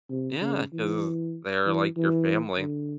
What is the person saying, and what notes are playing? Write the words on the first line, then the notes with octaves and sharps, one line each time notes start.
Yeah 'cause they're like your family,
C3
C#3
E3
E3
E3
D3